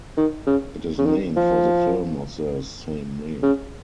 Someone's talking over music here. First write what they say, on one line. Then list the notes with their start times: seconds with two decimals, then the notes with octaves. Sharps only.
It is named for the film of the same name.
0.17 D#3
0.47 C#3
0.98 C#3
1.06 D#3
1.36 F3
3.43 C#3